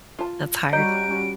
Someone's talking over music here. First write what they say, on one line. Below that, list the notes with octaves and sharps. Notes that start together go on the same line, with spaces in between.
that's hard.
F4 A5
G3 C#4 F#4 D#5 A#5 G6 D7